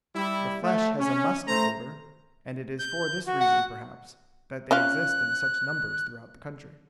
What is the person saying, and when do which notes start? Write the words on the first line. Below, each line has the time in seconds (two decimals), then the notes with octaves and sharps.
The flesh has a musky odor, and it is for this reason, perhaps, that they exist in such numbers throughout the country.
0.15 G3 E4
0.63 A3
1.00 C#4
1.48 A3 C5 A#5
2.79 G6
3.27 F#4
3.41 F#5
4.71 C#4 F4 F5 F#6